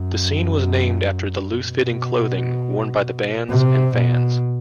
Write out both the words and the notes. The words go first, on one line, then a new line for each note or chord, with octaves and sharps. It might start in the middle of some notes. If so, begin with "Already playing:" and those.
The scene was named after the loose-fitting clothing worn by the bands and fans.
Already playing: F#2
B2
C3
B2